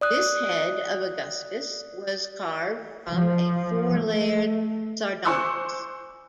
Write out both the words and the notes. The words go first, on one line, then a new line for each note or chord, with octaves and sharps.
This head of Augustus was carved from a four-layered sardonyx.
D5 D#6 F#6
F3
A3
C5 G#5 C#6 D6 E6 F#6